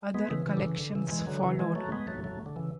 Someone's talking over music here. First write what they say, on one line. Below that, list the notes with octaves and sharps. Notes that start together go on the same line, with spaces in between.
Other collections followed.
G#3 B3
C#3 E3
C#3 E3
D3
C#3 E3
D3
C#3 E3
E3 G#3
D3 F#3
C#3 E3
E3 G#3
F#3 A3
G#3 B3
F#3 A3
F#3 A3
D3
C#3 E3